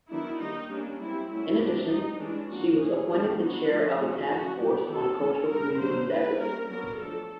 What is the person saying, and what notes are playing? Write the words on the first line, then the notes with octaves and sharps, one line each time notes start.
In addition, she was appointed the chair of a Task Force on Cultural Communities-at-Risk.
D#3 F#3 B3 D4 E4
D#3 G3 A#3 D#4
G3 A#3 C#4 D4
G3 C4 E4
F#3 A3 C#4 E4
F#3 A3 C4 D4
G3 C4 D#4
E3 G#3 C#4 D4
F3 A#3 D4 F#4
E3 A3 C#4 G#4
D#3 F#3 B3 D4 G4
F#3 B3 D4 F#4
F3 A3 C#4 F4
F3 A3 C4 F#4
F3 G#3 C#4 F#4
F#3 B3 D4 G4
D#3 F#3 A#3 C#4 A4
E3 A3 C#4
G3 B3 D4 A#4
D3 F#3 A#3 C5
E3 G#3 B3 D4 B4
G3 A#3 C#4 A#4
F#3 B3 D4 A#4
F3 A3 D4 A4